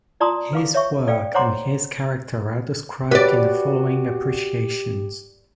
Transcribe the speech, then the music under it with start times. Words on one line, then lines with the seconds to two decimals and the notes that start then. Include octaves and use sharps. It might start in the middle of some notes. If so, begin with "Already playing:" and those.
His work and his character are described in the following appreciations.
0.20 F4 D5 A5 A#5 C6 D#6
0.53 B4 F5 D6
0.74 C#5 E5 C#6
1.07 A4 D5 F5 G5
1.34 C5 C#5 F#5 A#5 C6 D6
3.11 F#4 G4 B4 D5